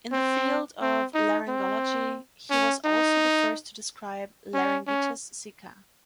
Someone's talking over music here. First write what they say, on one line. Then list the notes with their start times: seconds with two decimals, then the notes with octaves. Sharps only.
In the field of laryngology, he was also the first to describe “laryngitis sicca”.
0.12 C4
0.81 C4
1.15 D#4
1.48 C4
2.51 C#4
2.85 D#4
4.54 C#4
4.87 C#4